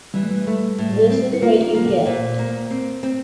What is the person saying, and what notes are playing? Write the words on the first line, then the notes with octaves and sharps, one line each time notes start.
This Is What You Get.
E3 G3
A3
G3
A3
A2
C4
E4
A#3 F4
F4
A#3
A4
A#2 C5
A#3
C4
C4